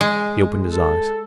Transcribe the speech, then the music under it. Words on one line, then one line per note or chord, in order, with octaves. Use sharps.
He opened his eyes.
G#3
A4